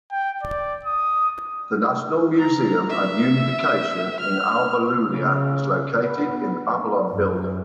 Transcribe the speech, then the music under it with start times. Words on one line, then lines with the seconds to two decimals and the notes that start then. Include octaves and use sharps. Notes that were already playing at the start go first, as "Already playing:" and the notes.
The National Museum of Unification in Alba Iulia is located in the "Babylon" Building.
0.11 G5
0.43 D5
0.85 D#6
2.39 A#5
2.89 E5
4.20 F6
5.05 C#3
5.93 B3
7.09 F#2